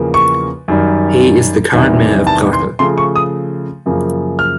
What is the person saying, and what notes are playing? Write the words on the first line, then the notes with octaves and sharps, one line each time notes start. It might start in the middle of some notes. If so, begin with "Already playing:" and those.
He is the current mayor of Brakel.
Already playing: E2 C#3 F3 A#3
C#6
F#2 D#3 G3
E2 C3 D#3 G3
A5
C6
C#3 F3 A3 C6
C#6
D#6
F#2 C#3 F3 A#3
F6